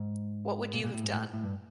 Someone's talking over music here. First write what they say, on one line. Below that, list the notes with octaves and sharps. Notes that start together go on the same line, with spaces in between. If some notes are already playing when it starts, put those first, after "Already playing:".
What would you have done?
Already playing: G#2
A#2
A#2
A2
G#2
A2
A2
G2